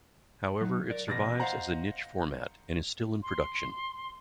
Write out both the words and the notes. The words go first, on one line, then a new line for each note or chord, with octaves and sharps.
However, it survives as a niche format and is still in production.
F#3 D#4
A#4 D5
A1 B2 A6 A#6
C5 D#5 F5 F#5 A#5
C6